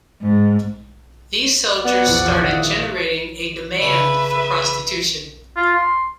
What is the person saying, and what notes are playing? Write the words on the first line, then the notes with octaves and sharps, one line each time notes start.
These soldiers started generating a demand for prostitution.
G#2
B3 D5 F#5
A#1 E2
F1 F3 C#5
D#3 E5 F5 D#6
C#3 D4 B4 C#5 E5
F4
C6